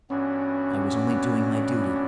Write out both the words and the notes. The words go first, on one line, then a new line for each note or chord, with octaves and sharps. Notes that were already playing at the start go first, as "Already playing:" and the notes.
I was only doing my duty.
G2 E3 B3 C#4 D4 F#4